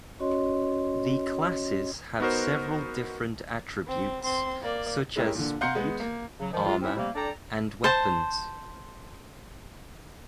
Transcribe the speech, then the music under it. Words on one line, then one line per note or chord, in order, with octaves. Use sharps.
The classes have several different attributes, such as speed, armor and weapons.
C#4 F#4 C#5 D#5 C6
B3 D#4 F#4 A#4 C5
C4
C4 C6
A#3 D5
G#3 C#4 E4 G4 A#4
A#2 D3
F5 F#5 A#5 C6 G6 C#7
G#3 B3
A#3
C#3 F#3
D#3 F3
G#3 F4
C4 C#4 D#4 E4
C3 G3 A3 A#3
D4 A4 D5 G5 A#5
C5 A5